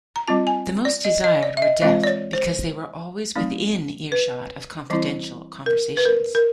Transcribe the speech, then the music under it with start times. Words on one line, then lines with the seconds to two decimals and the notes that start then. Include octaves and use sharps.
The most desired were deaf because they were always within earshot of confidential conversations.
0.16 A#5
0.28 G3 C4 F4 A5
0.47 G#5
0.85 D5
1.05 D#5
1.24 D#5
1.43 D5
1.57 E5
1.62 D#5
1.82 E3 G#3 C4 F4 D#5
2.04 D5
2.07 C#5
2.33 C5
3.36 F#3 A3 C4 D#4
4.12 B4
4.90 E3 G3 C4 E4
5.66 A#4
5.97 B4
6.05 A#4
6.35 A#4